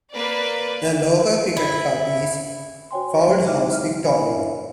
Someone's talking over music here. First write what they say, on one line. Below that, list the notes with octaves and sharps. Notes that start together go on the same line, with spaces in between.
The local cricket club is Fauldhouse Victoria.
A#3 B4 D5
E4
F#4 C5 C#5 G5 G#5 C6
F#3 G#3
D#4 E4 E5 D6 F6
F6
D4 B4 G#5 B5
E4 A#4 C5 C#5 D#5 E5